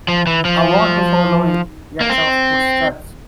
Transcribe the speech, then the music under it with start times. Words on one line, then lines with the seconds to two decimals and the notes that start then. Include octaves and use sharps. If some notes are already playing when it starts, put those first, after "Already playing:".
I want to follow in Yksel's footsteps.
0.08 F3
0.27 E3
0.45 F3
2.01 A#3
2.10 C4